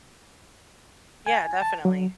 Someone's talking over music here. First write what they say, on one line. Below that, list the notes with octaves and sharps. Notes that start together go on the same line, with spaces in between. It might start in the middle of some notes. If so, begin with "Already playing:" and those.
Yeah, definitely.
G#5
A5
F#3